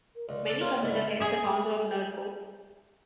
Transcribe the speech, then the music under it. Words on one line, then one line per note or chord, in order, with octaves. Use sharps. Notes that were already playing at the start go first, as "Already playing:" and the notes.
Many consider Hess the founder of Nerdcore.
A#4
C#2 D5
D4 A4
A#3 C#4 F4
C#2 G#2 E4
G#4 E5